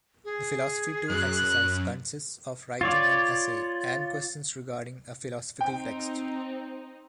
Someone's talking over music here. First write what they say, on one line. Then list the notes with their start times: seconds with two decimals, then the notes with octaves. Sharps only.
The Philosophy two exercise consists of writing an essay and questions regarding a philosophical text.
0.25 G#4
1.10 F#2 F#6
2.81 F4 C#5 D5
5.61 C4 D#4 G5